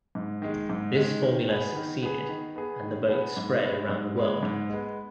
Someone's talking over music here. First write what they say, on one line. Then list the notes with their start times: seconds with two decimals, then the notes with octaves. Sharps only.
This formula succeeded, and the boat spread around the world.
0.15 G#2
0.42 D#3 G#3
0.70 G#2
0.95 D#3 G#3
1.23 D#3
1.48 B3 G#4
1.76 D#3
2.03 B3 G#4
2.29 D#3
2.56 B3 G#4
2.82 D#3
3.09 B3 G#4
3.37 G#2
3.63 G#3 B3
3.89 G#2
4.16 G#3 B3
4.43 G#2
4.69 G#3 B3